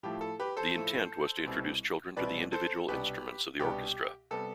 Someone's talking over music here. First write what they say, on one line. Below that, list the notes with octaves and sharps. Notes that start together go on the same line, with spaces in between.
The intent was to introduce children to the individual instruments of the orchestra.
A2 F3 A3 E4 G4
A4
G4 B4
A4 C5
A2 F3 A3 E4
C2 B2 G3 C4 E4
C2 B2 G3 C4 E4 B4 D5
A4 C5
C2 B2 B3 D4 G4 B4
C2 B2 B3 D4 G4
C3 G3 B3 A4